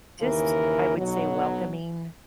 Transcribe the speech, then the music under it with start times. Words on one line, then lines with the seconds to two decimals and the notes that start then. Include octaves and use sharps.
just, I would say, welcoming,
0.21 D#2 C#3 E3 A#4
0.97 B1 B2 F#3